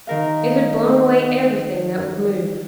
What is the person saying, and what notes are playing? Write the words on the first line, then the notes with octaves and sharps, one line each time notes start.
It had blown away everything that would move.
D#3 A#4 F5